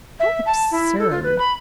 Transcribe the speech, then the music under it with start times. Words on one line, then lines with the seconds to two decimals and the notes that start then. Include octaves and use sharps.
How absurd!
0.20 E5
0.46 A5
0.71 E4
0.99 A4
1.10 F4
1.24 B4
1.38 B5